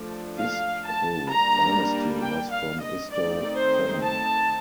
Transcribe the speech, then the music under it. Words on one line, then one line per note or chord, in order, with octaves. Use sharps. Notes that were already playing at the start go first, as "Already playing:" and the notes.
Isdhoo Dynasty was from Isdhoo Family.
Already playing: F3 A3 D4
F5
A5
G3 A#3 D4 A#5
G5
F5
D#5
D#3 A3 C4 D#4 D5
C5
A5